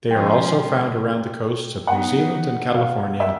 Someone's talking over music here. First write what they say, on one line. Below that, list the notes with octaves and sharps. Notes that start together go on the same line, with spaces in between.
They are also found around the coasts of New Zealand and California.
A#2 F3 G#3 C#4 F4 G5
F#3 B3 D#4 F#5
F5
E5